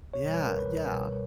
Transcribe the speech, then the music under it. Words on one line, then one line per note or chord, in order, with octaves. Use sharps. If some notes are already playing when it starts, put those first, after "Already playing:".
Yeah, yeah.
Already playing: C#2
C#5
B2 G3
B4
A#4
C#2 B4
B2 G3